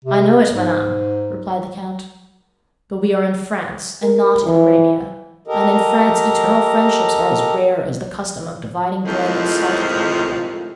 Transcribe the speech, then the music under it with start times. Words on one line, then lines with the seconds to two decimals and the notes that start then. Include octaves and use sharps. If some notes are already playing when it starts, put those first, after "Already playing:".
"I know it, madame," replied the count; "but we are in France, and not in Arabia, and in France eternal friendships are as rare as the custom of dividing bread and salt with one another."
0.05 C3
0.48 G#2
4.03 A#4
4.46 E3
5.47 G4 A4 A#4 D#5
9.05 F2 A2 C3 D#3 F3 G#3